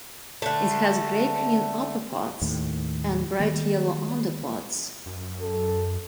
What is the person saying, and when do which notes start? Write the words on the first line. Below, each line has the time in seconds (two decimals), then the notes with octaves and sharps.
It has grey-green upperparts and bright yellow underparts.
0.42 D3 A3
2.42 D#2 A2 D#3
3.39 D#3 G3 A#3
5.06 F#2
5.41 A4